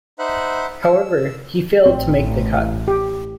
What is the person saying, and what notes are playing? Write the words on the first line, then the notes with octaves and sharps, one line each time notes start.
However, he failed to make the cut.
D#4 C5 E5 F#5 B5 F#6
E6
A1 C4
G4